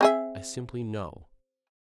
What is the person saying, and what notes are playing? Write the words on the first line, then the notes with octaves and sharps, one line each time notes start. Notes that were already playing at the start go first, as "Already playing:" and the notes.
I simply know.
C4 G#4 E5